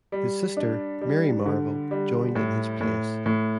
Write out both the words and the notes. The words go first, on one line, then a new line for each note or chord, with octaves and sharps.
His sister, Mary Marvel, joined in his place.
G3
D4
G3
D3
G3
A2
A2
A2